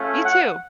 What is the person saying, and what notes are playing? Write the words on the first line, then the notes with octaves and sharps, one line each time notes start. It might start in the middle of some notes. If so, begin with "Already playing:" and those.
Me too.
Already playing: A3 C#4 F4
F#5